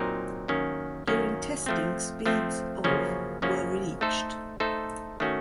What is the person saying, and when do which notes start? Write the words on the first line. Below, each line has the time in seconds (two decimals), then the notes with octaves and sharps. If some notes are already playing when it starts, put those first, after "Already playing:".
During testing speeds of were reached.
Already playing: A#2 F#3 C4 D#4 A#4
0.48 F#2 D#3 A#3 C#4
1.07 F#2 D#3 A#3 C#4
1.66 F3 A3 C4
2.26 F3 A3 C4
2.84 F#2 C#3 F3 A#3 C#4
3.42 F#2 C#3 F3 A#3 C#4
4.01 A3 D#4 A4 C5
4.60 A3 D#4 A4 C5
5.20 D#3 A3 C#4 F#4